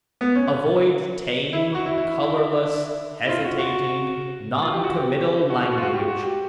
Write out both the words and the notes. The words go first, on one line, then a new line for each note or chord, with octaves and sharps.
Avoid tame, colorless, hesitating, non-committal language.
B3
C#4
E4
F#4
E4
E4
E4
F4
F#4
F#4
F4
G4
F#4
G4
F#4
F#4
F#4
F4
F#4
G4
F#4
G4